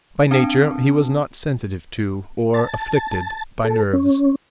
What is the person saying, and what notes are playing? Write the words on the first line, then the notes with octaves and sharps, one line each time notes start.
By nature he was not sensitive to, or afflicted by, nerves.
C4 D4 A5
A5
A4
C#4